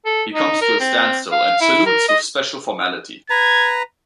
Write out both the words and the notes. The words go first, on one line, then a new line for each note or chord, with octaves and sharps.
He comes to a standstill and salutes with special formality.
A4
D#4
A#4
C4
F5
E4
A#4
D#5
B4 A#5 G#6